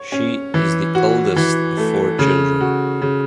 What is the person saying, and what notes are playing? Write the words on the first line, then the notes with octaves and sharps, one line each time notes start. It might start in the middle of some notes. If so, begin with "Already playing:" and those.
She is the eldest of four children.
Already playing: C#5
C#4
E3
F#4
E3
A3
C#3
F#4
C#3